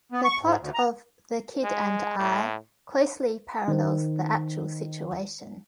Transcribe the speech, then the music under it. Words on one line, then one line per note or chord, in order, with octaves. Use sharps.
The plot of "The Kid and I" closely parallels the actual situation.
B3
C#6
G#2
D2
A#5
G#3
A2
D#3 C5